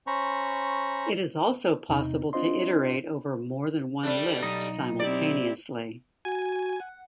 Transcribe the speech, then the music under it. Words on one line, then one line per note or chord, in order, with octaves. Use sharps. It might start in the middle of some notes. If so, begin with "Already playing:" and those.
It is also possible to iterate over more than one list simultaneously.
C#4 C5 A#5 B5 C#6
E2 C3 D#4
C4 D4 F4 C5 D#5 C6
G3 A3 D4
B1 D#4 D#5
C4 E4 G4 D5
F#4 G#5
F#5